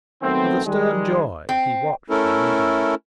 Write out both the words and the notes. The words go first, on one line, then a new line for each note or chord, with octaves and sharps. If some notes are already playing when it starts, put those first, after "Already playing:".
With a stern joy he watched her reading it.
D#3 F#3 A3 B3 C4
D#3 G3 G#3
C4
A3 C#4 E4 A4 A#4